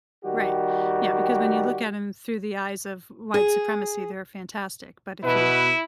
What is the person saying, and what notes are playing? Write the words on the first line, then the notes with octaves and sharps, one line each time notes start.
Right. Yeah, because when you look at 'em through the eyes of white supremacy, they're fantastic, but if you
D#3 G3 F#4 G4
G#4
B2 E4 B4